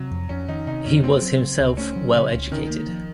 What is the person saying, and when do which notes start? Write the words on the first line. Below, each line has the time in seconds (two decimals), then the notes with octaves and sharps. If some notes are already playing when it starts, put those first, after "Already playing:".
He was himself well-educated.
Already playing: C3 F#3
0.11 F2
0.29 F2 C#4
0.48 D#3 D#4
0.67 C3 D#4
0.85 F2 C#4
1.03 A3 C4
1.22 F#3
1.40 C#3
1.59 C#2
1.77 A3 C#4
1.96 F#3
2.15 C#3
2.33 C#2
2.52 D#3 C#4
2.70 A#3
2.89 F3